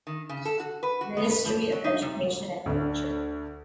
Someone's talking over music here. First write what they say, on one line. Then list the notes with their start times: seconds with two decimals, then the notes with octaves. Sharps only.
Ministry of Education and Culture.
0.07 D#3
0.29 C#3
0.45 A4
0.60 F#4
0.83 B4
1.01 F#4
1.17 B3
1.30 B4
1.45 F3
1.72 F#3
1.84 D#4
2.02 C3
2.66 D2 D4